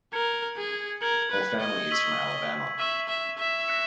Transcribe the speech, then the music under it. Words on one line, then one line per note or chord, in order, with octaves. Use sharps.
Her family is from Alabama.
A#4 G#6 C#7 F#7
G#4
A#4 G#6 C#7 F#7
B4
D#5
C#6 E6 B6 D#7 F#7
E5 C#6 E6 B6 D#7 F#7
E5
E5
F#6 A#6 C#7